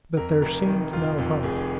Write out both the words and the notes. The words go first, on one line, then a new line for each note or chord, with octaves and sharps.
But there seemed no hope.
F2 A#4
F1 A#4
D#3
F1 F4
F2 F4
F1 G#4